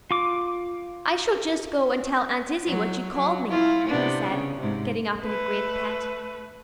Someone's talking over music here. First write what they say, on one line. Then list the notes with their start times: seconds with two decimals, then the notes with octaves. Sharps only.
"I shall just go and tell Aunt Izzie what you called me," he said, getting up in a great pet.
0.11 F4 D6
2.66 F#3
3.14 F#3
3.50 E4 F4
3.88 C3 B3 D4
4.29 C#3
4.61 G#2 C3
5.19 A3 B4